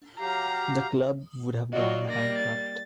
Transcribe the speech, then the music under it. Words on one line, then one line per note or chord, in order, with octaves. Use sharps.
The club would have gone bankrupt.
F#3 G4 F5 A#5
F#3 D#4 F4 F#4 D5 D#5
G3 A#3 D5 A#6
A6